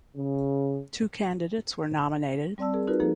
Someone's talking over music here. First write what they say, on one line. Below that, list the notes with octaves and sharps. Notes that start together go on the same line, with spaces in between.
Two candidates were nominated.
C#3
G3 C4 D5 A5 E6
G#4 A#4
D#4 F4 F#4 A#4 B4
F3 A#3 D#4 G#4 A4